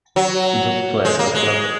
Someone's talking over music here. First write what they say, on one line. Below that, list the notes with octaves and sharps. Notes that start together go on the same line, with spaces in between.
It was twelve o'clock.
F#3
G#3
A#3
G#3